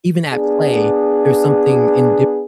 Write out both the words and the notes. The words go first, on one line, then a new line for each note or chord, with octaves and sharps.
even at play, there's something indifference
B3 D4 G#4